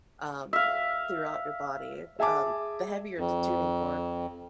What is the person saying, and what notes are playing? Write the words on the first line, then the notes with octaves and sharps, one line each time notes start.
um, throughout your body, um, the heavier the tuning fork,
E5 F5
G#4 E5 G#5 A5 D6
F2